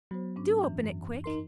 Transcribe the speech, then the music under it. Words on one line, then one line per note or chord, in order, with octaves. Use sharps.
Do open it quick.
F#3 B3 C5
G#2 C#4 D4
F#2 E3
F#2
D#4 A#4 C6